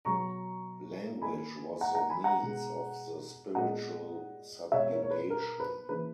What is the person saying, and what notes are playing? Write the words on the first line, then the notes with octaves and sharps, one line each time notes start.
Language was the means of the spiritual subjugation.
B2 F#3 B3 A#5 C#6
D#3 A#3 G#5 B5
F#5 A#5
F#5 A#5
G#5 B5
F#5 A#5
B2 G#3 B3
A#2 G#3 B3 D#5 F#5
B2 G#3 B3 C#5 E5
A#4 C#5
C#5
B4
A#4
B4
C#3 E3 A#3 B4